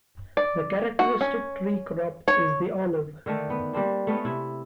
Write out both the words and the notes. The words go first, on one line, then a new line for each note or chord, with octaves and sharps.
The characteristic tree crop is the olive.
D5
F#4
C#4
C#5
D3 D#3 A3
B3
G3 A#3 C4 D4
A3 B3 C#4 D#4
C3 E4